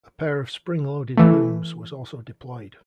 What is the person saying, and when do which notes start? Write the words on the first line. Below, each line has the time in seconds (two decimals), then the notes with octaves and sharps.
A pair of spring-loaded booms was also deployed.
1.17 E3 A3